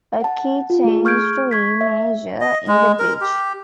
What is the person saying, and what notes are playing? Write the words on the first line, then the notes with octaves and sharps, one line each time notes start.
A key change to E major in the bridge.
F#5 A5
F4
A3 G#4
C#6 F6 G6 G#6 D7
C#6 G#6 B6
E5
D#5
G#3
A#4
G4